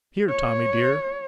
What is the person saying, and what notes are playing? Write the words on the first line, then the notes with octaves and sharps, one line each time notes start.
Here, Tommy, dear.'
C#5